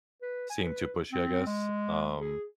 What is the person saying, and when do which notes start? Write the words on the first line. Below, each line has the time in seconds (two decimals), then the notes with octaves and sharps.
seem too pushy, I guess. Um,
0.22 B4
0.50 G#5
0.63 B4
1.12 C4
1.47 G#3
2.20 G#4